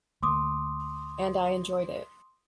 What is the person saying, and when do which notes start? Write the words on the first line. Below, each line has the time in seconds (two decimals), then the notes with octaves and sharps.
And I enjoyed it.
0.23 D2 A#3 C6 D6 D#6